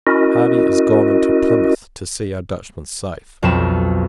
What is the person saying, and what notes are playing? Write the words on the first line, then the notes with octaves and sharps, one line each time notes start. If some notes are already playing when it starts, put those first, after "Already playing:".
Hardy is gone into Plymouth, to see our Dutchman safe.
C#4 E4 F#4 A#4 D#5
B1 F2 C4 E7